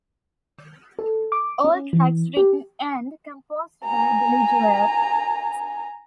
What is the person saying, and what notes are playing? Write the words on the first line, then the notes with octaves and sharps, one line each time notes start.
All tracks written and composed by Billy Joel.
A4
D6
C#4
E3
G4
G#5 A#5